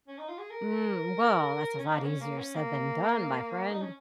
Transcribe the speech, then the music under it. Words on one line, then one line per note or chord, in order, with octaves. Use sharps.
Mm, well, that's a lot easier said than done, my friend.
C#4
D#4
F4
G#4
A#4
C#4
D#4
A#3
C#4
A#3
C#4
A#3
D#4
C#4